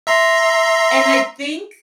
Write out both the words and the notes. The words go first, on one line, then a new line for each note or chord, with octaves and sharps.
and I think
E5 A#5 C6